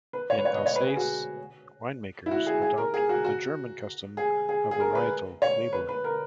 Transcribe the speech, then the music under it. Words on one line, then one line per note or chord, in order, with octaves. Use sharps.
In Alsace, winemakers adopt the German custom of varietal labeling.
B4
C#5
B4
C#5
D#5
C#5
B4
G#4
F#4
E4
F#4
G#4
G#4
A#4
G#4
F#4
F#4
G#4
G#4
G#4
A#4
B4
C#5
B4
B4
A#4